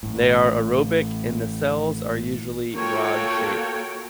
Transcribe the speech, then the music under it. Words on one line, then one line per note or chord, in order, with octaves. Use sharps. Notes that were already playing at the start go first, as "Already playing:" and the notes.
They are aerobic, and the cells are usually rod-shaped.
A1 A2
A#3 F4 F#4 A4 C#5 G5